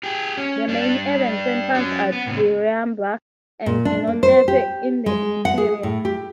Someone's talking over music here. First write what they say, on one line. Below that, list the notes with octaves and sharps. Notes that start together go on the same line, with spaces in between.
The main urban centres are Diriamba and Jinotepe in the interior.
G4 G#4
C#4
G3 D4
F#3 C#4
B3
A2 C#3
A#2
D4
A#3
C5
G4
G#3
F#5
G#4
A2
G4